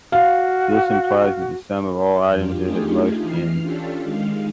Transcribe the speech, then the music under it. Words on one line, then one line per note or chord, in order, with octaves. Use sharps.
This implies that the sum of all items is at most "m".
F#4 F5
F2 D4 F4 G4
A3 D4 D#4 F4 G4 G#4
E3 F6 C7
C#4 D4 F4 G4 A4
D#3 G#3 F5